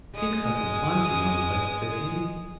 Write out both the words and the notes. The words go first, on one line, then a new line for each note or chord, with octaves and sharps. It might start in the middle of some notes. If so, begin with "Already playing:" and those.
"Methinks I can climb to yon place," said he.
G#3 D#6